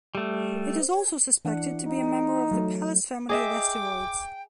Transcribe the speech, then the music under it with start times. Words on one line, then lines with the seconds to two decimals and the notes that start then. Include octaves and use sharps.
It is also suspected to be a member of the Pallas family of asteroids.
0.15 G3 A3
1.45 E3 D4 F#5
1.87 D#4
2.51 F#3 A3
3.29 G#4 D#5 E5 G5 D6